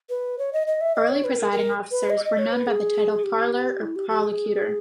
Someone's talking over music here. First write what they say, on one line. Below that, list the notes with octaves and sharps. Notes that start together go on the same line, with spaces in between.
Early presiding officers were known by the title parlour or prolocutor.
B4
C#5
D#5
D#5
E5
D#5
C#5
B4
A#4
A#4
B4
D#5
D#5
C#5
B4
G#4
G4
E4
G4
G4
G#4